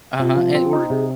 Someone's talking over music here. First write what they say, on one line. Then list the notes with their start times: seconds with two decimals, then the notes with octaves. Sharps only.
Uh-huh, and or
0.20 C3 F4
0.37 F3
0.55 C4
0.73 D#4
0.89 C3 G#4